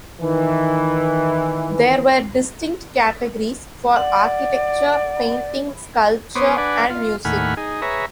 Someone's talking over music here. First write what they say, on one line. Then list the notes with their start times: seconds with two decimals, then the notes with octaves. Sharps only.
There were distinct categories for architecture, painting, sculpture and music.
0.21 D#3 E3
3.96 D5 F#5
6.35 B3 C5 C#5 D6 D#6
6.58 D4 B4 D5 F#5 G#5
6.90 F4
7.25 D#2 A2 F#5 G#5 B5 F6
7.57 D#4 G#4
7.82 G#4 B4 C#5 E5 A#5